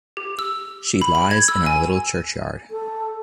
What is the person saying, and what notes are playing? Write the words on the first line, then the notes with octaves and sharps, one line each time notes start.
She lies in our little churchyard.
G4
E6
B5
B5
G#6
E6
G#5
A4